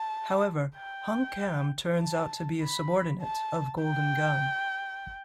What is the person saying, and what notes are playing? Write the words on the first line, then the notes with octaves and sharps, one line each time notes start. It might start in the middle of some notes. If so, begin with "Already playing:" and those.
However, Heung-kam turns out to be a subordinate of Golden Gun.
Already playing: A5
G5
A5
B5
A5
G5